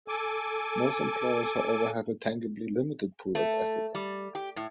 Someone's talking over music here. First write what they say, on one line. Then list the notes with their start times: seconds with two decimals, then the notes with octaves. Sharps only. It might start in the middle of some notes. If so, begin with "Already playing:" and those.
Most employers, however, have a tangibly limited pool of assets.
0.08 A4 G#5 D6
3.35 A3
3.95 G3
4.35 G4
4.56 A2